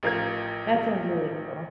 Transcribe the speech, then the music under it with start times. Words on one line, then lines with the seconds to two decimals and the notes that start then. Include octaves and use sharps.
that sounds really cool.
0.03 A1 F3 A#4 F5 G#6